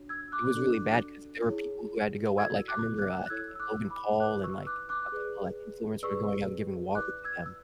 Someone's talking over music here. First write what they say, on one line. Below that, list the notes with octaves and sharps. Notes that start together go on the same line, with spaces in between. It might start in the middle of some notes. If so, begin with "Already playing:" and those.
it was really bad 'cause there were people who had to go out like, I remember, uh, I think, like, Logan Paul and, like, a couple of, like, influencers were going out and giving water to them
Already playing: D4 F#4 C#5
E6 G#6
D6 F#6
D4 F#4 A4 D5
E4 G#4 C#5
F#4 A4 D5 E6 G#6
D6 F#6
D6 F#6
F#6
E4 A4 C#5 E6 G#6
E6
D6 F#6
B5 D6
E4 B4 D5 D6 F#6
C#6 E6
D6 F#6
D6 F#6
G#4 B4 D5
G#4 B4 D5 C#6 E6
E4 B4 D5 D6 F#6
E6 G#6
E6